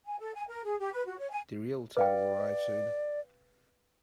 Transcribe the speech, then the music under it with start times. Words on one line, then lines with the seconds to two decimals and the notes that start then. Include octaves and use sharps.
The Realtor will arrive soon.
0.06 G#5
0.19 A4
0.35 G#5
0.48 A#4
0.65 G#4
0.79 G4
0.93 B4
1.07 F#4
1.19 C#5
1.30 G#5
1.97 B4 D5 F5 G5